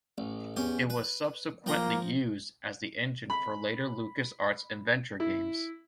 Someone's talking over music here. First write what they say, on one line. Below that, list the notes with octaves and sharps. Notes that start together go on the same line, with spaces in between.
It was subsequently used as the engine for later LucasArts adventure games.
A1
E2 C#4 G4
B4
F3 A#3 G5 A#5
B5
E4